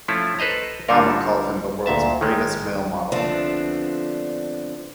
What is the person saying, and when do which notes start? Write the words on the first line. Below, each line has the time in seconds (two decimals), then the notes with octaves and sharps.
Bama called him the world's greatest male model.
0.08 F3 A3 C#4 E4 F4
0.39 A4 B4 C5 D#5 A#5
0.89 D3 G3 F4 A4 A#4
1.86 D2 A#2 E5 A5
2.21 D#3 G#3
3.12 D3 F3 A3 B3 C4 D4